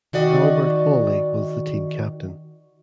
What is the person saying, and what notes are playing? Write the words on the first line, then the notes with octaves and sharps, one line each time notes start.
Albert Hawley was the team captain.
D#3 F#4 D5 D#5